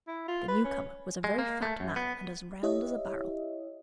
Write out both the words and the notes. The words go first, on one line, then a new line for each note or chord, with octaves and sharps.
The new-comer was a very fat man, and as round as a barrel.
E4
F4
B4
C#4
G#3
A#3
A3
F#2
B3
E4 G4 C#5 D#5 E5